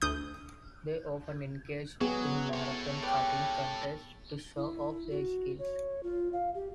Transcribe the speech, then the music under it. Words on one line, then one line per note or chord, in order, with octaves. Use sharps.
They often engaged in marathon cutting contests to show off their skills.
D2 D#6 G6
F#3 B3 F#4 G#4
A4 C#5
G4 B4 D5
E4
F#4
C#5
F4
F5
G4